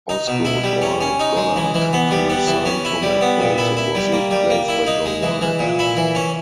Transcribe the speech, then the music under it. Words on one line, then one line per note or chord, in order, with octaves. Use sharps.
Osgood ordered Goddard to resign from her post and was replaced by John White.
D#4
B2
E4
G3
C#4
C#4
D#4
G#3
E3
E3
B3
G3
B3
E3
C#4
E4
G3
B3
A#2
E4
E4
G3
A#3
G3
A#3
E4
D#4
G#3
E3
E3
A#2
E4
E3
C#4